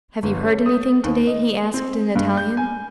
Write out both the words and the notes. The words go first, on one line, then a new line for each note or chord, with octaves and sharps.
"Have you heard anything to-day?" he asked in Italian.
G1
C#4
D#6
D#2
D#5
C4
G2
G6
G#5